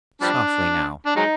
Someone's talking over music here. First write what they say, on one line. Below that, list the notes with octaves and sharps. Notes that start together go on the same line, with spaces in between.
Softly now.
F3 G3 D4
D4
F#3 G#3 D#4